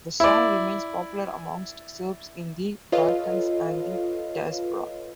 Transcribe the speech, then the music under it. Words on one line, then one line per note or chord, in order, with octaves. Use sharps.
The song remains popular amongst Serbs in the Balkans and the diaspora.
E4 D5
F4 A4 B4 C#5 D#5 F5